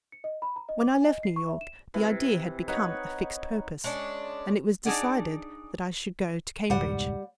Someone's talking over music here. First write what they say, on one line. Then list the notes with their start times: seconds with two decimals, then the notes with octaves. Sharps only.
When I left New York the idea had become a fixed purpose; and it was decided that I should go to Cambridge.
0.12 C#7
0.24 D#5
0.42 B5
0.56 A#5
0.69 D#5
0.81 D6
0.94 G#5
1.08 D#5
1.23 C7
1.36 C#6
1.48 E5
1.61 E7
1.94 C3 E3
2.68 D#4 B4 C#5 F#5
3.84 G#3 C#4 D4
4.85 D4 D#4 G#4 D5 F#5
6.70 E1 C#2 G#2 G3 F#5